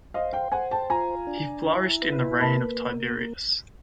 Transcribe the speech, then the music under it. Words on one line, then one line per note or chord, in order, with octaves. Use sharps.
He flourished in the reign of Tiberius.
C5 D#5 F5
F5 G5
C5 F#5 G#5
G5 A5
F4 G#5 A#5
D4
E4
B4
A#3 A5 B5